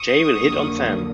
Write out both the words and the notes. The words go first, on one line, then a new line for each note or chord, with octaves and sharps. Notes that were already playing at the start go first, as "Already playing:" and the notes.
Jay will hit on Sam.
Already playing: C#6 D#6
F2 D3 F#3 A#3